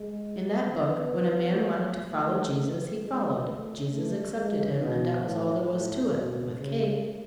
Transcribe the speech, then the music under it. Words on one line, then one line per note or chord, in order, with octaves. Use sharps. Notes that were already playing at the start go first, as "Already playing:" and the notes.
In that book, when a man wanted to follow Jesus, he followed; Jesus accepted him; and that was all there was to it, with Kate.
Already playing: G#3
B3
A3
G#3
A3
A3
G#3
B2
A2
A2
B2
C#3